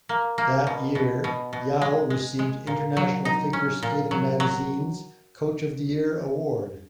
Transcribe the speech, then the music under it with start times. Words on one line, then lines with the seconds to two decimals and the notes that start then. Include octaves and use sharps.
That year, Yao received "International Figure Skating Magazine"'s Coach of the Year award.
0.09 A#3
0.38 A#3
0.67 B2
0.95 B2
1.24 B2
1.53 B2
1.82 G#3
2.10 G#3
2.39 G#3
2.67 A#2
2.97 F#3
3.25 D#4
3.53 C#4
3.83 A#2
4.11 F#3
4.40 F#3